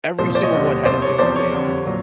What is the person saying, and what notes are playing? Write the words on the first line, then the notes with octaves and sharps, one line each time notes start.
every single one had a different way of doing it,
C2 A#2 F3 C5
C5 D5
C#5 D#5
D#2 D3 G3
C2 B2 G3 C5 D5
C#5
E2 C3 F3 C5 D5
C#5
F2 D3 G3
A#2 F#3